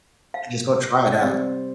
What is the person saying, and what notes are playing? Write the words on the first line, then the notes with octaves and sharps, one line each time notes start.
just go try it out.
F5
D#5
C3 G3 C4 D5